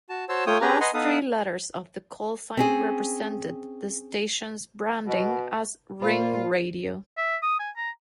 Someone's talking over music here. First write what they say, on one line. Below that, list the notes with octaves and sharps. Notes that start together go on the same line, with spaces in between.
The last three letters of the callsign represented the station's branding as "Ring Radio".
F#4 A5
F#4 C5 C#5 A5 E6
A3 F4 C#5 G5 D#6
C#4 G4 G#4 B4 A#5
B4 D#5 F#5 G#5 A#5 C6
B3 D#4 A4 B4 F5 D#6
C4 C#4 G#4
B2
A#2 F4 C5 B5
E5
D#6
G#5
A#5